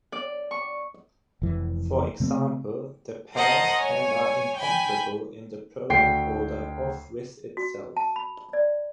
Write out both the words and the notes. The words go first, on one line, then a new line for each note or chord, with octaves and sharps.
For example, the pairs and are incomparable in the product order of with itself.
D5
C#6
F1 E3
C3 A3 A#3 C4
A#4 C5 D#5 F#5 A5
C#5 G#5
G5 G#5 B5
D2 G5 C7
F#4
A5
B5
D5